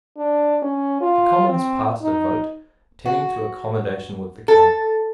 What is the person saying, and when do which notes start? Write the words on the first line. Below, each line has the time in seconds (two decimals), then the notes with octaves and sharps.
The Commons passed a vote tending to accommodation with the King.
0.17 D4
0.62 C#4
1.01 F4
1.48 C4
2.02 D#4
3.06 F#4
4.48 A4